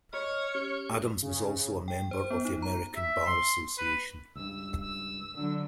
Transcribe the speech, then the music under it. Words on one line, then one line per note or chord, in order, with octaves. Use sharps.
Adams was also a member of the American Bar Association.
C#5 D#5 F6
C#4 G4
C#3
G5
C5
B3
D#4
A#5
E5
C6
B4
C#2 G2 E6
E6
D3 F#3 E6